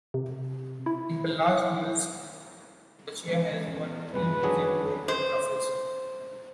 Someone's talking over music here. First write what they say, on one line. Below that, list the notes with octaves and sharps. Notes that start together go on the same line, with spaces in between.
In the last years Russia has won three major European trophies.
C3
E4
E3 G#3 C#4
E2 A#2
G2 C3 F3 G#3 B4 G#5
F#1 F2 D#3 F#3 D4 G#4
C5